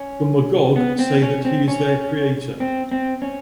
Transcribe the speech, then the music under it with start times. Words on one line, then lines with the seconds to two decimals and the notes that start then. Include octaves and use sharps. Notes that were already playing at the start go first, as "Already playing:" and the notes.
The Magog say that he is their creator.
Already playing: C#4
0.76 B3
0.99 C4
1.22 C#4
1.45 C4
1.68 C#4
2.60 C4
2.91 C4
3.22 C#4